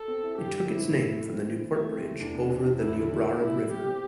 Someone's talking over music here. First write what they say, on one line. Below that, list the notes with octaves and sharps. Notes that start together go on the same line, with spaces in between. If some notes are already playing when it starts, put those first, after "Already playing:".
It took its name from the Newport bridge over the Niobrara River.
Already playing: A4
C4
E4
G2 G4
D3
C4 E4
A2
A2
A3
C4
E3
E3
A3
E3 C4
A3
E2 D4
C3
C4
E2
E2 E4
D3
D4 E4
G4
A2 E4
G3
G3 G4
C4